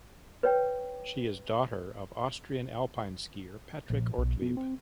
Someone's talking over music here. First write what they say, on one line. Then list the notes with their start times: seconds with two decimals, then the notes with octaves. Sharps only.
She is daughter of Austrian alpine skier Patrick Ortlieb.
0.43 B4 C#5 G5
3.90 A#1
4.18 B1
4.42 B2
4.57 C4